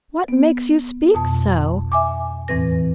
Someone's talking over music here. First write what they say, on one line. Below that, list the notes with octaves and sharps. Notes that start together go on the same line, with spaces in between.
What makes you speak so?
B3
F2 B2 A5
E5 G#5 D6
E2 A2 E3 C4 B4 A#6